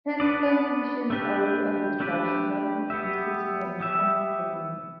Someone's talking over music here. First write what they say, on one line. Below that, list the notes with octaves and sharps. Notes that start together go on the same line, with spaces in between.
Transplant patients already on this drug should not discontinue on becoming pregnant.
B3 D4 B4 D5
A3 D4 G4 B4
A3 D4 G4 B4
B3 G4 E5
B3 G4 E5